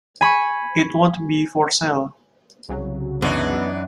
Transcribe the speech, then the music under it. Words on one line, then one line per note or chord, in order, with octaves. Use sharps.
It won't be for sale.
G#5 B5 C#6
C2 C#3 F#3
F#2 E3 B3 D4 D#4